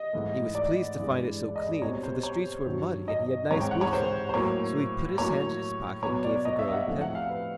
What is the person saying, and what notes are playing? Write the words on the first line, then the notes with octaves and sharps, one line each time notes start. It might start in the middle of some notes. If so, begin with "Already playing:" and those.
He was pleased to find it so clean, for the streets were muddy, and he had nice boots on; so he put his hand in his pocket, and gave the girl a penny.
Already playing: D#5
G#2 E3 A3
D5
G2 E3 G#3
D#5
D5
B2 G3 C4 C#5
C5
C#5
G2 D#3 F#3
D#5
G#2 E3 G#3 C4 C#5
G5
F#5
C#5
C5
C5
A2 F#3 A#3 C#5
A2 F#3 A#3 C#5
B2 F#3 B3 C#5
D5
D#5
E5
F5
F#5
A2 F3 A3 C4 E5
F#5
F5
B4